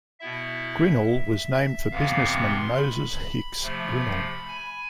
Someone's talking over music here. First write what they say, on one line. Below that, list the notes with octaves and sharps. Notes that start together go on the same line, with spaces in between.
Grinnell was named for businessman Moses Hicks Grinnell.
B2 B3 E4 E5
F2 C3 E3 B3 F5
E5
C6
B5
C3 F3 A3
G#5